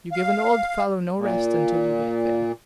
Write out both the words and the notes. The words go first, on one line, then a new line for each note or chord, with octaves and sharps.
You give an old fellow no rest until you get there.
F5
A#2